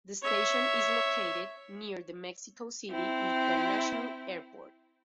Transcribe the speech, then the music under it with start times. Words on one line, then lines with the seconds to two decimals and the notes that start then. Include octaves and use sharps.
The station is located near the Mexico City International Airport.
0.22 C#5 E5
2.90 C4 E4